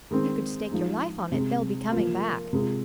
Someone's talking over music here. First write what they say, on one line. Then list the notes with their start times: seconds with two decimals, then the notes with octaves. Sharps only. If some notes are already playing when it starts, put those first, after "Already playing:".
You could stake your life on it, they'll be coming back.
0.11 D#3 G#3 C4
0.71 F3 G#3 D#4
1.32 C3 G#3 C4
1.92 F3 A#3 F4
2.53 C3 G#3 F4